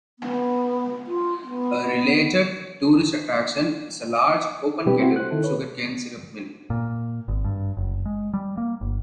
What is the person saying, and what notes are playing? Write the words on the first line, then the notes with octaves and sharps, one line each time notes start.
A related tourist attraction is a large open-kettle sugarcane syrup mill.
B3
F4
B3
B2 G3 C4 G4 B4
C4 E4 F#4
C5 F#6
D#3 E4 A4
B4 C#5
A#2
G#1
G2
F#1
G#3
G3
A#3
G1